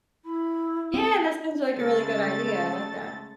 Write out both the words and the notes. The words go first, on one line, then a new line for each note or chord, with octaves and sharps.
Yeah, that sounds like a really good idea, I like that.
E4 B5
C4 D#6
C#3 G#3 A3 A4 A6